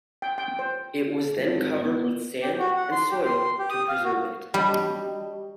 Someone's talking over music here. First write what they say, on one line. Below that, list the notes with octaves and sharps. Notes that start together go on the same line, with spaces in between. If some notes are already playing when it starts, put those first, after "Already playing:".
It was then covered with sand and soil to preserve it.
G5
G5
C5
G#1
B3
G4
F#4
F#5
C6
G4
C6
G4
D#6
F5
F#4
F#3 G3 D4 D#5